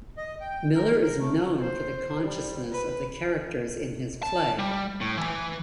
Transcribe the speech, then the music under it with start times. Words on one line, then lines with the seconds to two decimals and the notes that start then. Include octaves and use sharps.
Miller is known for the consciousness of the characters in his play.
0.17 D#5
0.40 G5
0.75 A#4
1.02 A#4
1.20 A3
1.62 C5
2.22 G3
2.72 B4
4.23 A5
4.59 G3
5.01 A2
5.17 E3